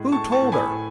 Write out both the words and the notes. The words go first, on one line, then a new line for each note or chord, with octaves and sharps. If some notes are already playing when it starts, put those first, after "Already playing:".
"Who told her?"
Already playing: A2 G#3
A2 A5 C#6
A5 C#6
A2
G#5 B5
A2